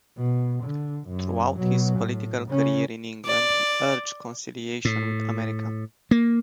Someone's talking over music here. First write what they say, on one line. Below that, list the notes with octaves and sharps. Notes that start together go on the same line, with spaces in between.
Throughout his political career in England he urged conciliation with America.
B2
D3
F#2
B2 F#3
A2
C#3 C#4
D5
A2
A#3